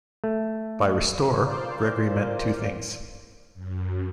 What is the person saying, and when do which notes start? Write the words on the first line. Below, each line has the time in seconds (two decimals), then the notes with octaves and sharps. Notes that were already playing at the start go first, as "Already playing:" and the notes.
By "restore", Gregory meant two things.
0.24 A3
1.46 A#2 C5 D5 F5
3.54 F#2